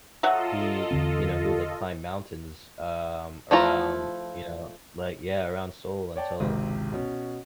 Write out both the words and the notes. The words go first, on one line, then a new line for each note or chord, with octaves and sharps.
he, you know he would, like, climb mountains, um, around, you know, like yeah, around Seoul until,
F#3 F4 A4 D#5 E5 F#5
E2 D3 C4
F3 A3 E4 F4 A#5
C#5 D5 G5 A5
G#1 C#2 C3
B2 C#4